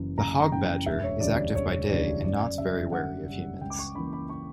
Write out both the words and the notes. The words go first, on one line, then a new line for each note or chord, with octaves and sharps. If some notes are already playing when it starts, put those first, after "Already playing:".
The hog badger is active by day and not very wary of humans.
Already playing: F#1 F#2 E3
F#1 A#5
A#5
F#2 E3 G5
E1 E5
C#5
D2 C#3 E3 G3 D5
E1 C#5
D2 C#3 E3 G3 D5
F#2 D5
C#3 G3 E5
F#2 F#5
C#3 G3
C#2 G5
D6
C#6
C#3 E3 A#3 B5
B5
C#6